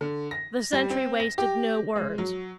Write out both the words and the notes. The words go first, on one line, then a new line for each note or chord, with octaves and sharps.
The sentry wasted no words.
D3
A#6
G3
C4
A#6
G4
G#3
F#3